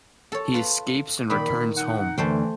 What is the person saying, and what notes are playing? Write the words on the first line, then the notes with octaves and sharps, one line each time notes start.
He escapes and returns home.
A4 C#5
F4 B4 B5
A#2 D#3 B5
D#4 F#5
D2 E3 A3 C5 G5